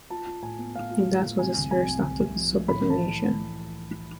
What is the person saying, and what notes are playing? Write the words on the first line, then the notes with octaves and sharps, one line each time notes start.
That was a serious act of insubordination.
F4 A5
F4
A2 G#5
B3
A2 F5
F4
A2
A2
C3 G#5
C2
C3 G#5
C2
C3
C2
F3
F3
A2 B5
E3
A5